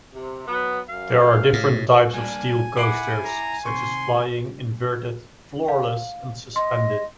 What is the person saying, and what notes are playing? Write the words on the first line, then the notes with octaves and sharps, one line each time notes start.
There are different types of steel coasters, such as flying, inverted, floorless, and suspended.
C3
F#3 B3
F#2 F5
A2
G3 A#3 D4 G#5
E4 F#5 D6 C7 D7
A#5
C3 D#3 C6 C#6
F5
D#5 C6